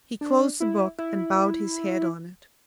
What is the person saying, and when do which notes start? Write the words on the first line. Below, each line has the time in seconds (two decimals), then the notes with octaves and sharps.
He closed the book and bowed his head on it.
0.21 D4
0.60 E4
0.99 E4